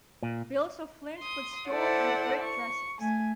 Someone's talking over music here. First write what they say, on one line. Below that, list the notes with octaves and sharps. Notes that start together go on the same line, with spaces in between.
Built of flint with stone and brick dressings.
A#2
C6 D#6
E4 A4 C5 D5 F#5
C#6
A3 G#5